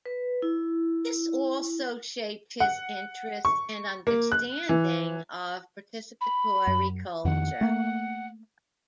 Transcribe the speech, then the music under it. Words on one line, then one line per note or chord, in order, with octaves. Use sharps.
This also shaped his interest and understanding of participatory culture.
B4
E4
F#5
C#6
A#3
F#6
E3
B5
F#2
F2 D#3 F#5
A3 A#3